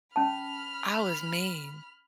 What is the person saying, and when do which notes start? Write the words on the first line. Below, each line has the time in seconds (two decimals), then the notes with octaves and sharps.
"I was mean."
0.16 C#4 A5 B5 F6